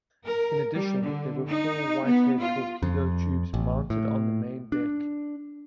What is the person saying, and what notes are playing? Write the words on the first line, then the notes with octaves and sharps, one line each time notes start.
In addition, there were four Whitehead torpedo tubes mounted on the main deck.
A#4
G3
D3
D#4
B3
F4
F2
A1
A2
D4